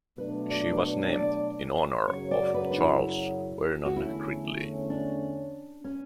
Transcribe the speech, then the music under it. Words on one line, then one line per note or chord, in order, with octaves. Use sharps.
She was named in honor of Charles Vernon Gridley.
B2 F#3 A3 D4 B4
D5
B4
C#5
D5
F#2 C#3 F#3 C#5
D5
B4
D4
E4
F#4
E2 D3 A3 C#4 E4
D4
C#4